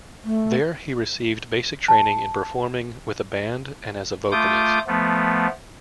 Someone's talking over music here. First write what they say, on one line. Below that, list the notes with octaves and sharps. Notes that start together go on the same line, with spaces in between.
There, he received basic training in performing with a band and as a vocalist.
A3
A5
A3 F4 D6 D#6 G6
F3 A3 B3